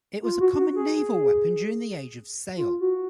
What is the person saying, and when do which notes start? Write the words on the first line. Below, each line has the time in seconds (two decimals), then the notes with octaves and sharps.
It was a common naval weapon during the Age of Sail.
0.23 F4
0.40 F#4
0.58 F#4
0.76 G#4
2.57 F4
2.80 F#4